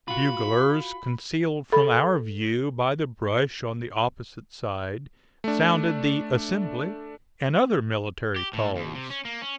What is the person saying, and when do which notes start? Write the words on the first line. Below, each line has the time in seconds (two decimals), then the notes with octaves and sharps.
Buglers, concealed from our view by the brush on the opposite side, sounded the "assembly," and other military calls.
0.08 F4 F#4 B5
1.72 A4 B5
5.44 A3 D4
8.36 G4
8.53 A2
8.76 D#2
8.95 C3
9.10 C#4
9.25 A#3
9.42 C#4